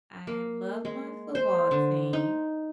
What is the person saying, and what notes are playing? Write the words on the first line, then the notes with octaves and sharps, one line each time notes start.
I love my football team.
A#3
G#3
C5
D3
D#4